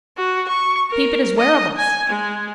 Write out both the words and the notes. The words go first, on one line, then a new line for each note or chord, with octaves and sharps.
Peep at his wearables.
F#4
C#6
A#4
D#5
G#5
G#3